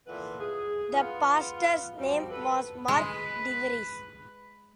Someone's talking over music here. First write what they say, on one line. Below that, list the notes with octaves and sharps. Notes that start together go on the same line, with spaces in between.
That pastor's name was Mark DeVries.
A#2 E3 B3 A4 B4
G#4
B3 F4
F3 G3 C4 F#4 G4
A4 B4
G#3 B4